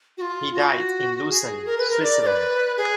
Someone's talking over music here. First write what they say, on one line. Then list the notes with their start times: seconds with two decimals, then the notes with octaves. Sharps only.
He died in Lucerne, Switzerland.
0.18 F#4
0.21 F4
0.54 F#4
1.29 G#4
1.66 A#4
1.78 B4
1.90 A#4
2.03 D5
2.22 D5
2.27 B4
2.77 G#4